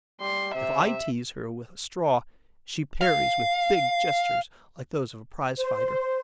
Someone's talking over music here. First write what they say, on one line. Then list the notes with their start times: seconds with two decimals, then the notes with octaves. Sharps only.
If I tease her with a straw, she parries with big gestures, like those of a prize-fighter.
0.21 G3 C6
0.55 C3 E5
3.01 F5
5.56 C5